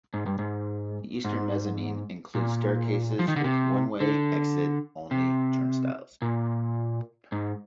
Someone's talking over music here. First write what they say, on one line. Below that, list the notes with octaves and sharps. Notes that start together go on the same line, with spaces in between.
The eastern mezzanine includes staircases with one-way exit-only turnstiles.
G#2
G2
G#2
G#2
A#2
F3
D#3
D3
C3
D3
C3
A#2
G#2